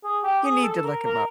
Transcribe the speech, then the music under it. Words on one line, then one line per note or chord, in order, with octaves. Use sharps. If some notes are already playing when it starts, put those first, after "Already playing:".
You need to look him up.
G#4
G4
G#4
A4
A#4
A#4